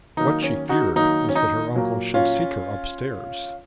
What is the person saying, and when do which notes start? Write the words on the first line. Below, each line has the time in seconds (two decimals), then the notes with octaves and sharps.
What she feared was, that her uncle should seek her up-stairs.
0.17 D#3 F#3 A#3 D#4
0.43 C#4
0.69 D#4 F#4
0.96 D#3 F#3 A#3 D#4
1.29 C#4
1.35 D#4
1.75 A#2 F#3 A#3
2.14 C#4 F4